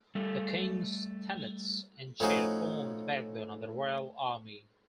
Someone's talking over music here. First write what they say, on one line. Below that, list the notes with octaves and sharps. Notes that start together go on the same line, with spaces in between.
The king's tenants-in-chief formed the backbone of the royal army.
G3 A3 A4
A2 F3 C#4 D#4 F#4